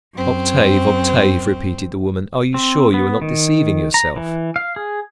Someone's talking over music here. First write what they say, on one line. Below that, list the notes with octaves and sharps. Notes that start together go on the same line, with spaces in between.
"Octave, Octave," repeated the woman, "are you sure you are not deceiving yourself?"
F#2 C4
C4
B3
D#3
A#5
E3
F5
G#4